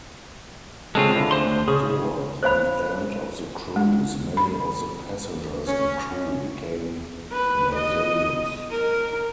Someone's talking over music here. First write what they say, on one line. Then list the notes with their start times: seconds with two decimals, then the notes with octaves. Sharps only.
Toward the end of the cruise, many of the passengers and crew became nauseous.
0.95 C#3 G#3 C4 F4 A4
1.15 D3 E4
1.31 D2 C5 C6
1.68 C#3 G#4
2.43 C5 C#5 F5 B5
3.76 G#3
4.37 B5
5.67 C#4
7.32 B4
7.76 D#5
8.72 A#4